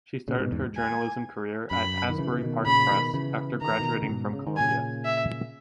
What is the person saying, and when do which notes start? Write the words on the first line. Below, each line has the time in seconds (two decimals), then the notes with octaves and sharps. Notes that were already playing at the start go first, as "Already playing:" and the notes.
She started her journalism career at "Asbury Park Press" after graduating from Columbia.
0.28 A#2 C#3
0.40 G#2 B2
0.52 E2 G#2
0.76 G#5
1.71 F#2 B5
2.10 D#3
2.18 C#3 E3
2.31 E3
2.43 B2 D#3
2.66 A#2 C#3 B5
2.90 B2 D#3
3.14 C#3 E3
3.62 D#3 A#5
3.71 E3
3.79 B2 D#3
4.03 C#3
4.09 G#2 B2
4.33 C#3
4.46 D#3
4.57 A#2 C#3 G#5
5.05 E5